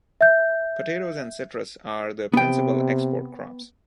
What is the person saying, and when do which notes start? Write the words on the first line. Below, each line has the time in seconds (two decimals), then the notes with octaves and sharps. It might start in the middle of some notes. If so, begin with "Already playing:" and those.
Potatoes and citrus are the principal export crops.
0.21 E5 G6
2.34 C3 B3 G5